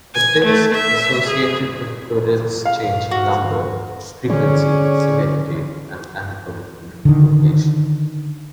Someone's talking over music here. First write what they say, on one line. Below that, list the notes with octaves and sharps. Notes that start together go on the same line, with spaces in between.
The tics associated with Tourette's change in number, frequency, severity and anatomical location.
G#5
A3
E5
G#4
F5
F#4
D3 C#4 G#4 C#5 D5
D3 D#3